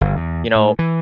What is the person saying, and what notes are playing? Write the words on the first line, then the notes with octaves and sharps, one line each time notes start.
you know
G1
E2
A2
E3